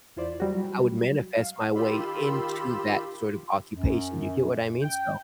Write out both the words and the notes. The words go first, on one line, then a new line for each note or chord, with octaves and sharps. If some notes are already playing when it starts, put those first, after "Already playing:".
I would manifest my way into that sort of occupation, you get what I mean? So,
E2 E4 F4 C5 D5
F#3 G3 F#4
F5
D#3 F4 G4 B5 C6 E6
F#2
G5